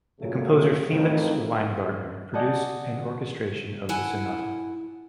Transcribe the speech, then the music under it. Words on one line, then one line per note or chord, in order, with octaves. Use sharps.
The composer Felix Weingartner produced an orchestration of the sonata.
C#2 A#2 C#3 F#3 A3
F2 A2 D#3 E3 D#4
D5 D#5 F#5 G#5 A5 G6
E4 A4 F#5 G#5